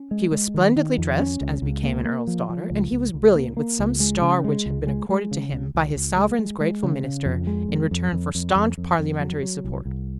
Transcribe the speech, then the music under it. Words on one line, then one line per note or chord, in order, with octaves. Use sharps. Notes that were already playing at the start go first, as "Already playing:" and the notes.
She was splendidly dressed, as became an Earl's daughter, and he was brilliant with some star which had been accorded to him by his sovereign's grateful minister in return for staunch parliamentary support.
Already playing: C#4
G#3
G#3
D#3
D#3
F2
C#4
C#2
C#2
A#3
A#3
F3
F3
C#2
C#2
C#2
A#3
A#3
C#2
G#3
C#3
G#3
C#2
G#3
G#3
C#3
C#2
C#2
C#2
G#3
G#3
G#3
C#3
C#3
F2
G#3
F2
F2
F2
F2
F2
F2
F2
F#3
F#3
C2
C2